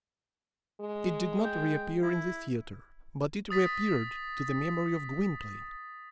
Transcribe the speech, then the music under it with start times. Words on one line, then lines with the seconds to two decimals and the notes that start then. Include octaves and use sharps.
It did not reappear in the theatre, but it reappeared to the memory of Gwynplaine.
0.81 G#3
1.45 G5
2.02 E4
3.50 D#6 A6 B6